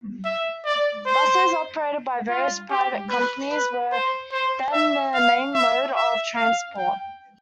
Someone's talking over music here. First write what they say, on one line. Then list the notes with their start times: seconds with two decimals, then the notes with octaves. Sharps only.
Buses operated by various private companies were then the main mode of transport.
0.25 E5
0.65 D5
1.06 C5
2.29 F4
2.70 G4
3.10 B4
3.51 B4
3.92 C5
4.32 C5
4.73 E5
5.14 F5
5.55 E5
5.96 E5
6.36 F5
6.78 G5